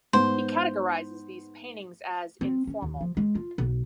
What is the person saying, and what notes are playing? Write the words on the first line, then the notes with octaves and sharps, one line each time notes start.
He categorises these paintings as 'informal'.
G#2 B3 C5
C4
C#4
D#2
F3
G#3
F4
B1